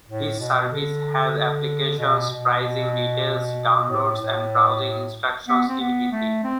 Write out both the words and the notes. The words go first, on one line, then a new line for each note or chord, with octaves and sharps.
This service has applications, pricing details, downloads and browsing instructions in Hindi.
A2
B2
D3
B2
B2
A2
A2
B3
C4
B3
A3
C4